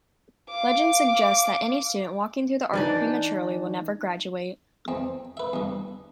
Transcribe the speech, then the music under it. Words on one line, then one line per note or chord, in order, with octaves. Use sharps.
Legend suggests that any student walking through the arch prematurely will never graduate.
F5 D6
E3 D4 D#4
E2 C4
B4 E5
E2 G2